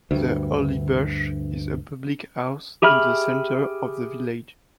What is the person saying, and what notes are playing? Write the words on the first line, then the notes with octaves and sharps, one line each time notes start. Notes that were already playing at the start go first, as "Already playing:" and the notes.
"The Holly Bush" is a public house in the centre of the village.
D2 G2
G4 G#4 E5 B5 F6